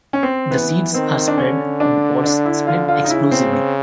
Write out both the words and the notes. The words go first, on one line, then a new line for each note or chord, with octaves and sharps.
The seeds are spread when the pods split explosively.
C#4
C4
E3 B3
D#3 C4
D4
D3 C#4
D4
D4
E4
F4
F4
D#4
C#3 E4
C4
C4